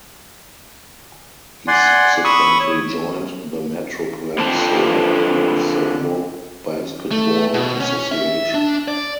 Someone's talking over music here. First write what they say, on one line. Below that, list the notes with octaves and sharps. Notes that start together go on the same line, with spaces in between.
He subsequently joined the Metroplex Lightning of the Pro Basketball Association.
D5 F#5 G#5 C6
B5 C#6 D#6 E6
C#5
D3 C4 F4 A5
A3
B2
C#4
E5
D4
D5